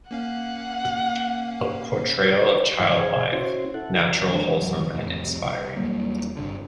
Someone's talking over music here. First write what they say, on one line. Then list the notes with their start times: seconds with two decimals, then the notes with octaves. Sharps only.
A portrayal of child life, natural, wholesome, and inspiring.
0.11 A#3 C#4 F5 F#5
2.80 G#2 E3 F5 G#5 C6
2.99 G#4 C5 G#5
3.32 C#4 E4 F#4 C5
3.74 E4 A4 F#5
4.28 E3 G#3 B3 D4
4.62 F#2 D#3 F#3 G3
4.93 C2 F2 A2
5.43 C2
5.76 E2 F#3 G3 A#3
6.36 G1 C2 D3